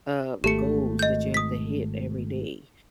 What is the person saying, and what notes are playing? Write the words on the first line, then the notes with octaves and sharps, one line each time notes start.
uh, goals that you have to hit every day
G#1 A3 G4 C#7
D#5 G6
D#6 B6